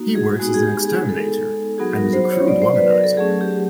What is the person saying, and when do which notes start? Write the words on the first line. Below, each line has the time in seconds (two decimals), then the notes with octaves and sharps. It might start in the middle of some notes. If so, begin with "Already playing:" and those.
He works as an exterminator and is a crude womanizer.
Already playing: A#3 D#4 F#4
0.15 G#4
0.39 G#3 B3 D#4 F#4
0.54 G#4
0.63 G4
0.85 G#4
1.09 A4
1.78 F#3 B3 D#4 F#4 G#4
1.95 A#4
2.13 C5
2.24 C5
2.31 C#5
2.48 D5
2.62 C5
2.76 B4
2.90 A#4
3.04 A4
3.17 F#3 A3 C#4 G#4
3.41 G4